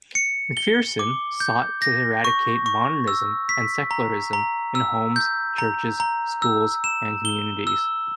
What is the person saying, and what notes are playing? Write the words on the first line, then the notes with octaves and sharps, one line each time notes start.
McPherson sought to eradicate modernism and secularism in homes, churches, schools, and communities.
C#7
G7
D6
G6
A#6
C#6
C#6
E6
B6
A#5
A#5
E6
G6
A#5
A#5
E6
E7
G7
E6